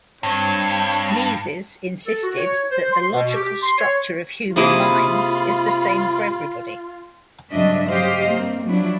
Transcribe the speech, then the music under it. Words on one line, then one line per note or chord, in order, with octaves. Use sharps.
Mises insisted that the logical structure of human minds is the same for everybody.
G2 C4 C#5
A4
F#4
C#5
C5
C6
B2
G4
C6
C#5
C3 A#3 E4 F4 G#4 B5 D#6
G2 C#3 F#3 D4 D#5 E5
C#3 F#3 G4 C5 D#5 F5
G2 A#3 C4
F3 F#3 D4 E4